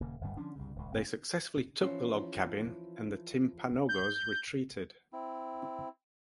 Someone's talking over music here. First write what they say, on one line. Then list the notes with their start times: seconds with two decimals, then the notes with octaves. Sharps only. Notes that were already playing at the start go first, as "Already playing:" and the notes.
They successfully took the log cabin, and the Timpanogos retreated.
0.01 D#1 C#3 A#3
0.21 D1 G1 G2 G3
0.37 D3 F3 C#4 D4
0.56 C2 G2 C#3
0.76 D#1 C#2
0.91 F#1 G#2 C4
1.81 E3 F3 C#4
3.89 G6
5.13 C4 E4